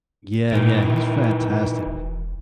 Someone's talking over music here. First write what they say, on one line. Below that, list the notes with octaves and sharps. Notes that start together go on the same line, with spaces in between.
Yeah, yeah, he's fantastic.
A#2 D#3 E3
E1